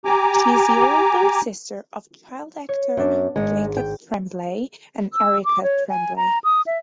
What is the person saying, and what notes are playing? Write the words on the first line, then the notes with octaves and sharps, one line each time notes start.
She is the older sister of child actor Jacob Tremblay and Erica Tremblay.
G4 G#5 A#5 D6
C#5
F#2 B3 D4
G#1 G#3 C#7
G5
E6
D6
C#5
G#5
A#5
D#6
E5